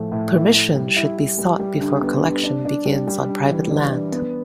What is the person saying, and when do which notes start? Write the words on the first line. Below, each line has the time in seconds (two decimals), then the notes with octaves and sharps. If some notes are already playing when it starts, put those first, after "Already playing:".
Permission should be sought before collection begins on private land.
Already playing: A2 F3 A3
0.12 A2
0.33 E4
0.54 E4
0.75 G3
0.96 E4
1.17 E4
1.38 G3
1.59 G3
1.81 D3
2.02 B3
2.23 D3
2.43 D4
2.65 D4
2.85 G3
3.07 G3
3.28 D4
3.49 E3
3.70 D4
3.91 D4
4.12 B3